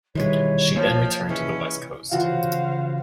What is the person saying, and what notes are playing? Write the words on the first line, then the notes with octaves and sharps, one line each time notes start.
She then returned to the west coast.
D#3 E3 G3 G#3 B4 C#5
F3 A#3
E3 G#3 C#4
C#3 E3 F4 F#4 C5 F5 F#5